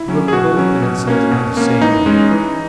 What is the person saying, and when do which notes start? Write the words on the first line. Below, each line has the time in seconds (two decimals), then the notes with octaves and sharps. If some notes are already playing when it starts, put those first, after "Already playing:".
You have both been insulted by the same man.
Already playing: E4
0.08 F#3 C#4
0.28 G#4
0.33 B2 F#4
0.57 F#3 C#4
0.82 B2
1.07 A#3 C#4
1.31 B2
1.57 A#3 C#4
1.81 E3 D#4
2.06 G#3 C#4
2.31 E3